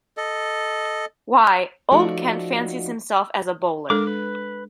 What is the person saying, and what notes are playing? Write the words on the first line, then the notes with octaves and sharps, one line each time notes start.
Why, old Kent fancies himself as a bowler.
A4 D#5
F3 A3 D#4 F#4 D5
G#3 D4 A4 A#4 D6
B4